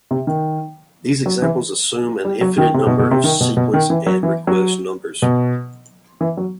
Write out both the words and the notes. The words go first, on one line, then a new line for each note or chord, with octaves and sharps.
These examples assume an infinite number of sequence and request numbers.
C3
D#3
F#3
E3
G3
F#3
D#3
C3
B2
B2
C3
D#3
B2
B2
D#3
E3
F#3
E3
F#3
B2
E3
F#3